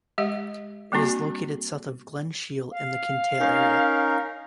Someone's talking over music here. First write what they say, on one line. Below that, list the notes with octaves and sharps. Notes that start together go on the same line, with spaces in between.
It is located south of Glen Shiel in the Kintail area.
G#3 G4 D#5 F#5
G3 A#3 C4 D4 F#4
F5
C#4 D#4 A#4